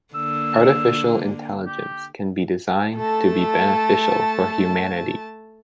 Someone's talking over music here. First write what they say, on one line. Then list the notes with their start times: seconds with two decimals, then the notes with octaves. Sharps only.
Artificial Intelligence can be designed to be beneficial for humanity.
0.14 D3 A#3 E6
1.67 G4
2.97 A3 A4 A5